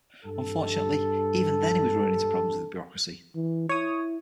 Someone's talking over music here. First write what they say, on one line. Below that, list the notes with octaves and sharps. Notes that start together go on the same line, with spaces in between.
Unfortunately even then he was running into problems with bureaucracy.
G2 A4
E3
E4 C#5 D#6